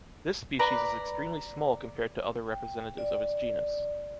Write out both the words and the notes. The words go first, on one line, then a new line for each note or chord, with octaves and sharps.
This species is extremely small compared to other representatives of its genus.
B4 D5 A#5
G5
D5